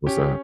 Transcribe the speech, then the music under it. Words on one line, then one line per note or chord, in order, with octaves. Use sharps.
What's that?
C#4 G4